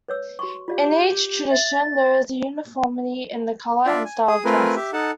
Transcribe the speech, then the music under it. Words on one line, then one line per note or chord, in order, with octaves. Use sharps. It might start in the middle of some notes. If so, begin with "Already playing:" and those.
In each tradition there is uniformity in the colour and style of dress.
B4 C#5 E6
F#4 C6 C#6
F4 G4 D5 F5
E5 A6
D4 F4 D5 E5
G#5
G#4 D#6
A3 C4 F4 A#4 B4 G#5
G4 E5
D#4 A4 F#5 A5